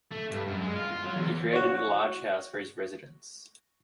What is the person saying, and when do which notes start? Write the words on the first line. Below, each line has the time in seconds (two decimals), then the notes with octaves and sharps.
He created a large house for his residence.
0.11 A3
0.31 G2
0.47 F#2
0.61 G#3
0.75 F4
0.92 F4
1.05 F#3
1.17 E2
1.53 F#4 C#5